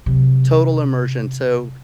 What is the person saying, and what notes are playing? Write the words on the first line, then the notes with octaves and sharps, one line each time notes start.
Total immersion so,
C3 F#3